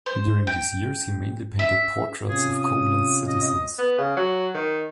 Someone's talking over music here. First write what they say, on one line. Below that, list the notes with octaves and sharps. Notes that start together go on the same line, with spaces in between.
During these years he mainly painted portraits of Koblenz citizens.
C5
G5
E5
C3 C#4 F4 G#4
D#6
D#5
D#5
B3
C#3
F#3
D#3